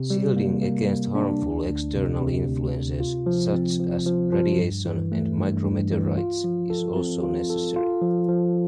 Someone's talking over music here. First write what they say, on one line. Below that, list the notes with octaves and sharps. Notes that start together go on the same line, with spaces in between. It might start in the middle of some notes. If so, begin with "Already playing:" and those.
Shielding against harmful external influences such as radiation and micro-meteorites is also necessary.
Already playing: C3
G3
A#3
A#3
A#3
D4
D2
D2
C3
C3
D2
C3
F4
F3
C4
F3
F3
F3
G2
E3
A3
G2
G2
E3
F4
F3
A4
C4
F4
A4
F4
F3
F3